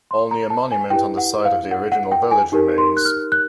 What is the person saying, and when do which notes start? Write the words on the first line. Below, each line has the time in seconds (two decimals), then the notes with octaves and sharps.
Only a monument on the site of the original village remains.
0.11 C6
0.31 A#5
0.50 A5
0.71 G#5
0.90 E4 G4 B4 G5
1.18 F#5
1.45 F5
1.71 F#5
1.92 F#5
2.12 G5
2.31 G#5
2.52 D#4 G4 A#4
2.78 C6
2.97 F#6
3.05 F6
3.32 F#6